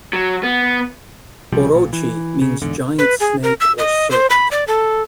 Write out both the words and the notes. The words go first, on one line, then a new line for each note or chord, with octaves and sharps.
"Orochi" means "giant snake" or "serpent".
F#3
B3
C2 C3 F3 G3
B1 A#2
E3
C#3
E2 G#2 D3
B4
G#4
A#4
E6
D#5
C5
B5
D5
A4